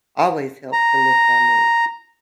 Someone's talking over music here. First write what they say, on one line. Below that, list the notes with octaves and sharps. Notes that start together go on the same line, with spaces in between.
always help to lift our mood.
A#5